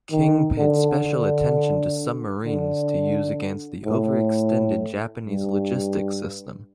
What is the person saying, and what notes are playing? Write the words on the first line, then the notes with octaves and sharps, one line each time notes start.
King paid special attention to submarines to use against the overextended Japanese logistics system.
D#3
D3
D3
D3
A2
G2